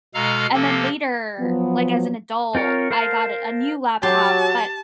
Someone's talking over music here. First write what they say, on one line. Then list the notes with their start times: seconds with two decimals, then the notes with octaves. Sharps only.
and then, later, like, as an adult, I got a a new laptop, but
0.14 B2 G#3 A4 F5 A#5 F6
0.53 C3 F3 A#3 A4
1.40 F3 F#3 B3
2.55 C4 F4 A#4 C#5
2.91 A#4 C5 F5 A5
4.03 F#3 G4 A5 C6